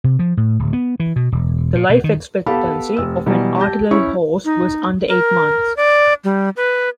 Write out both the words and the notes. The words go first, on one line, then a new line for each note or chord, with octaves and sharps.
The life expectancy of an artillery horse was under eight months.
C3
F3
A2
D1
B3
E3
B2
E1
A#2
B2
D#3
B3 G4 A4 F5 A5 B5
F1 E6
B2 E3 F#3 G3
G4 A5 G6 A#6
C#4 E4 C#6
D#4
A#4
D5
G3
B4